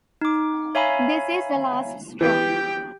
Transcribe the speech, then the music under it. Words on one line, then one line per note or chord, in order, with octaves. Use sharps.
This is the last straw.
D#4 D6
C#5 E5 F5 G#5 A#5 B5
E3 B3 G4 G5